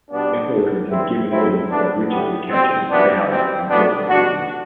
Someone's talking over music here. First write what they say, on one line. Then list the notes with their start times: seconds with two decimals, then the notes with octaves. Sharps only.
Ethelred had given orders that Richard be captured, bound and brought to England.
0.10 B2 G3 B3 D4
0.51 G2 F#3 A3
0.90 G2 E3 G3 C4 E4
1.30 F#2 F#3 A3 C4 E4
1.70 G2 F#3 A3 B3 D4
2.10 A2 G3 B3
2.50 E2 B2 G3 C4
2.90 F#2 E3 G3 B3 D4
3.30 F#2 E3 G3 C4
3.69 B2 F#3 A3 B3 D4
4.09 B2 G3 D4 F#4